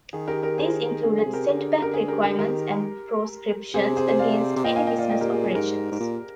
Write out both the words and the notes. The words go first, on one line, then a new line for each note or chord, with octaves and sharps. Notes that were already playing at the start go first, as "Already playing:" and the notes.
These included setback requirements and proscriptions against any business operations.
D#3 G#4
G4 A#4
G4 A#4
G#4 C5
D3 G#4
G#4
C3
G4 A#4
D3 G#4
G#4
G4 A#4
G#4
G4 A#4
G4 A#4
D#3 G4 A#4
C3 G#4 C5
G#4 C5
G#4 C5
D5 F5
C3
A#2 D#5 G5
F5 G#5
D#5 G5
D5 F5
D#5 G5
G4 A#4
G#4
G#4
G#2 G4 A#4
G#2
A#2